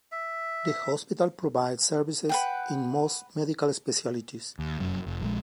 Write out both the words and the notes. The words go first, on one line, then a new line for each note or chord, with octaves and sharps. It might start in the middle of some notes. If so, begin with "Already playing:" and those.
The hospital provides services in most medical specialities.
E5
B4 F#5 G5
D#2
F1 F#2
F1
A#1 G#3